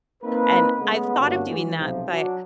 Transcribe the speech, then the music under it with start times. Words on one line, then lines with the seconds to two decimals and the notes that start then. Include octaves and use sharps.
and I've thought of doing that, but,
0.23 A#3 C4 D#4 B4
0.79 C#3 G#3 A3 B3
1.18 G2 D3 A#3 C#4 D4 F#4
1.47 E3 G#3
1.78 B1 C3 F3
2.09 F#3 D4